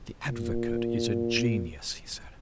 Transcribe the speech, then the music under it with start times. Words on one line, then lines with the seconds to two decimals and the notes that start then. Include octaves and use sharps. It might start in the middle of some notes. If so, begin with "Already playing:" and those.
"The advocate is a genius," he said.
0.24 A#2